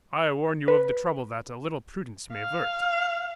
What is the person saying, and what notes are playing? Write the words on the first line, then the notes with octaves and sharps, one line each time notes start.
I warn you of the trouble that a little prudence may avert.
B4
F5